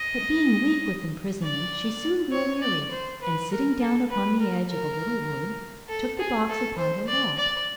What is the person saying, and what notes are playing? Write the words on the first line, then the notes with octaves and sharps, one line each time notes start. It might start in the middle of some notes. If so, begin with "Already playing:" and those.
But being weak with imprisonment, she soon grew weary, and, sitting down upon the edge of a little wood, took the box upon her lap.
Already playing: D#5
D5
C#5
D5
C5
B4
A#4
A4
B4
A#4
A#4
A4
G#4
A4
C5
D5
D5